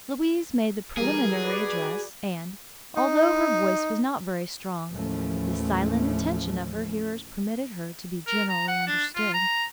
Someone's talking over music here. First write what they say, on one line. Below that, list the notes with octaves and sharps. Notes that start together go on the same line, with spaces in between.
Louise made the preliminary address, and, although her voice was not very strong, the silent attention of her hearers permitted her to be generally understood.
E3 G3 G#4 A#4
F#4 B4 D5
D#4
D#2 A2 E3 F3 A3 C#4
A#4
A#5
F#5
D4
F4
A#5